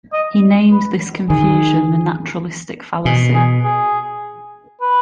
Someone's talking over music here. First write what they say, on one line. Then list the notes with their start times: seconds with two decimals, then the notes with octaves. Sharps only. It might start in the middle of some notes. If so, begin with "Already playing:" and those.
He named this confusion the naturalistic fallacy.
0.13 D#5
0.71 B4
1.30 D#3 G#4
3.05 B2 G#4
3.34 G#4
3.64 G#4
4.81 B4